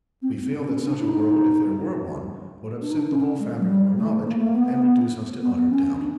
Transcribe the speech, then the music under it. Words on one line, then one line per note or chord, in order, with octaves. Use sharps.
We feel that such a world, if there were one, would upset the whole fabric of our knowledge and reduce us to utter doubt.
C4
C4
C#4
D4
E4
D#4
D4
D#4
D4
C#4
G#3
F#3
G3
A3
A#3
A3
A#3
B3
B3
C#4
D4